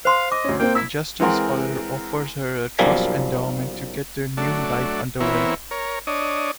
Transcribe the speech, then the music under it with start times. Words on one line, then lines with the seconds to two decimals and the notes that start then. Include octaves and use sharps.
Justy's father offers her a trust endowment to get their new life under way.
0.05 C5 F5 C6
0.32 D#5 D6
0.44 D2 C#4
0.60 A#3 C4 G5
0.75 E4 E6 B6
1.20 E3 G#3 C4 A#4 F#5 C6
2.79 B1 F#2 F3 G3 A#3 G#5
4.37 F#3 A3 D4
5.20 E3 B3 C4 E4 A#4 C#5
5.71 A#4 C#5
6.07 D4 C#5 D#5